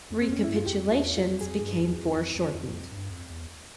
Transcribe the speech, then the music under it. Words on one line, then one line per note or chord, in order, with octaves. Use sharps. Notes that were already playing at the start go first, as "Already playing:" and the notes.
Recapitulations became foreshortened.
F2
C4
F2 C#4
G2 E4
F4
F2 G4
E2 F4
F2 F4
F2 G#4
G2
E2
F2
F2
F2
F2
G2
F2
G2
F2
E2